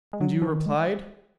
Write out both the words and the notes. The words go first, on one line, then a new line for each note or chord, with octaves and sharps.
"And you replied?"
G#3
F#3
F3
D#3
G#3